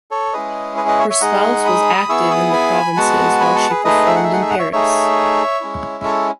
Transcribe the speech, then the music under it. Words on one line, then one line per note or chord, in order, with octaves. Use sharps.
Her spouse was active in the provinces while she performed in Paris.
A4 C#5
G#3 C#4 E4 G#4 B4 D#5
B4 D#5
B4 D#5
C#5 E5
C#5 E5
G#3 D#4 G#4 D#5 F#5
B5 D#6
B3 E4 G#4 C#6 E6
B5 D#6
G#5 B5
G#3 B3 F#4 F#5 A5
G#5 B5
F#5 A5
G#4 B4
A3 D#4 G#4 B4 D#5
E5
F#5
E5
F#5
E5
F#5
C#5 E5
A3 D#4 G#4 C#5 E5
G#3 C#4 E4
A4 C#5